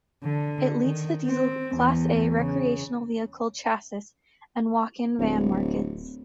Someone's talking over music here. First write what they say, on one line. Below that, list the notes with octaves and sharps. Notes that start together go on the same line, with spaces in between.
It leads the diesel Class A recreational vehicle chassis and walk-in van markets.
D3
D#3
C4
E2
C#3
D1